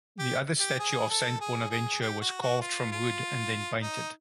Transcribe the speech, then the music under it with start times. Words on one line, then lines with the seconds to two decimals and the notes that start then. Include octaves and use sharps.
The other statue of Saint Bonaventure was carved from wood and then painted.
0.19 G4
0.60 G4
0.79 G#4
1.10 A4
1.41 G#4
1.70 G#4
2.01 G4
2.21 F#4
2.42 F#4
2.61 F4
2.92 F4
3.82 D#4